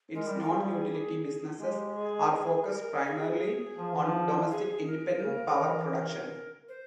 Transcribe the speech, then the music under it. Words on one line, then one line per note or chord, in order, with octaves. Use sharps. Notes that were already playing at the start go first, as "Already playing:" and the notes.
Its non-utility businesses are focused primarily on domestic independent power production.
G#3 A#4
G3
F3 A#4
G3 G#4
G#3 G4
G#4
G#4
A#4
G#4
F3
E3
F3
G#4
A#4
C#3
C#3
E3
C5